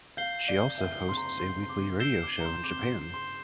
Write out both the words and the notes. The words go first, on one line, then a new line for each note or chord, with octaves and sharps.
She also hosts a weekly radio show in Japan.
F5 G6 C7 G7
D5
E5
C6
A#5
C6
C6
C6
D6
E6 G6 C7 E7 G7
D6
A#5
C6
D6
C6
C6